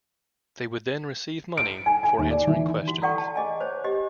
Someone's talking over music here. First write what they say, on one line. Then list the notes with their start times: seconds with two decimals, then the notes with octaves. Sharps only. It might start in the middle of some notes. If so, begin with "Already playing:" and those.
They would then receive money for answering questions.
1.57 D7
1.86 G#5
2.03 G#5
2.18 D#2
2.31 D5
2.47 E3
2.88 F#4
3.02 E4 A4 D5 F#5 G5 C#6
3.18 A5
3.36 G#4 D#5 G#5
3.60 C5 C#5
3.84 G4 D#5